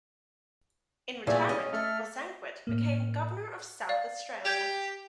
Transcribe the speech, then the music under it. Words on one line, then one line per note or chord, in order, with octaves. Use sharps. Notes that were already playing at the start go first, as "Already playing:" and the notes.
In retirement Bosanquet became Governor of South Australia.
A#2 E3 G3 A3 G#4 E5 G#5
C#4 D#5
A3 A4 F6
A2 A#3
D5 F5
G4 G6 G#6 F7